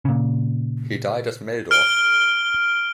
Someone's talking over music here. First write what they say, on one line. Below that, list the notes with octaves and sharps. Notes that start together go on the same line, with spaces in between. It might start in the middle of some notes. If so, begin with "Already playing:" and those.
He died at Meldorf.
A#2 C#3
F6 D7 G7